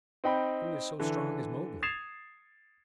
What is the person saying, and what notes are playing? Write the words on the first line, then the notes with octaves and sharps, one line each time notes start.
Who is so strong as Mowgli?
C4 D#4 G5 B5
D3 E3
D#6 G#6 A6 C7 E7 F7